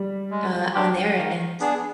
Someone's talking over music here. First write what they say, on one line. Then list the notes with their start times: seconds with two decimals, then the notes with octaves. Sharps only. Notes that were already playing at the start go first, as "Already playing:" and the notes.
uh, on their end,
Already playing: G3
0.31 G#3
0.73 D4 G4
1.17 D#3
1.60 B3 D4 G#4